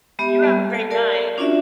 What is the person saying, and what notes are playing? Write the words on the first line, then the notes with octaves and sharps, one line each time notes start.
you have a great night.
G#3 B3 G4 E5
G3 A#3
A4 A5
A#4 D5 A5
C#4 D4 F4 F#4 D5 E5